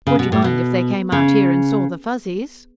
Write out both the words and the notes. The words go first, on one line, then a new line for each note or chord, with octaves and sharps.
"Would you mind if they came out here and saw the Fuzzies?"
C#3
B2
A2
B2
C#3